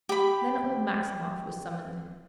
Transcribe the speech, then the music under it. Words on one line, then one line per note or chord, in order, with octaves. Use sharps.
Then old Maximov was summoned.
G4 B5